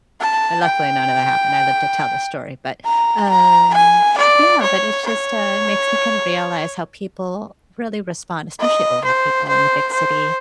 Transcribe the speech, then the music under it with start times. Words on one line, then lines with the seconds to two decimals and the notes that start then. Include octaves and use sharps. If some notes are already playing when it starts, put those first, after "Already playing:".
But, luckily none of that happened, I lived to tell the story, but, um Yeah, but it's just, uh, it makes me kind of realize how people really respond, especially older people in the big city.
0.20 A5
0.64 G5
2.85 A#5
3.29 A#5
3.74 G#5
4.18 D5
4.62 C#5
5.06 C#5
8.61 D#5
9.05 C5
9.49 C5
9.93 C5